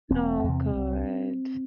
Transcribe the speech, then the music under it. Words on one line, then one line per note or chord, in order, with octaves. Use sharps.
Oh, good.
E1 C4
E2 C3
C2